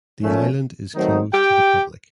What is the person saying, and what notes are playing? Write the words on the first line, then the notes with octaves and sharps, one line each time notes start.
The island is closed to the public.
A#2 F3 A3 C#4
D#3 F#3 A3 C4 D#4
G4 G5